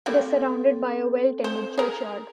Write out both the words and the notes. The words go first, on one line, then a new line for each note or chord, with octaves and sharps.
It is surrounded by a well tended churchyard.
G3 A3 A#3 C4 A4 G5
C5
G#4 A#4